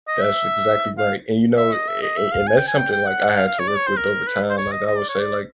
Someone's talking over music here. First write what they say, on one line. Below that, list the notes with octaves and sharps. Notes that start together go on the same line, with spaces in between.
That's exactly right, and you know, and and and that's something, like, I had to work with over time. Like, I would say, like,
D#5
E5
F5
E5
D#5
E5
D#5
E5
F5
G#5
G5
G#5
G5
G5
F#5
F5
F5
C#5
D5
C#5
C5
A#4
B4
C5
C#5
D#5
D#5
D5
C#5
D5